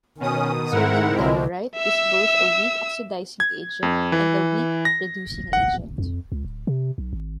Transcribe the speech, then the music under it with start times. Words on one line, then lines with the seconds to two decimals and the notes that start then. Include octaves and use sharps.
Sodium tellurite is both a weak oxidizing agent and a weak reducing agent.
0.20 B2 D#3 C#4 D#6
0.72 G#2 C4 E4 A#4 F#5
1.16 C2 B2 D3 G#3
1.77 E5 E6
3.40 G#6
3.83 F2
4.12 E3
4.85 A#6
5.53 F#5
5.98 F2
6.32 C#2
6.45 D1
6.67 C3
6.98 B1
7.13 G#1